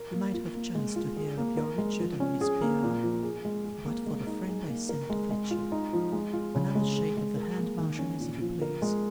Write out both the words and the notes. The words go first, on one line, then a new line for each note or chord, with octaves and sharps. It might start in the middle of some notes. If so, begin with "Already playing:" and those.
You might have chanced to hear of your Richard on his bier, but for the friend I sent to fetch you. Another shake of the hand, Marchioness, if you please.
Already playing: A#4
A#3
F4
A#3
G#3
F4
G#4
A#3
A#4
G#3
F3
C#4
G#4
A#3
A#2
F3
G#4
G#3
G#4
A#3
G#3
D#4
G#4
A#3
A#4
G#3
G#3
F4
D#4
F3
G#3
F4
C#3
G#3
G#4
G#3
A#4
A#3
D#3
C#4
A#2
F3
A#4
G#3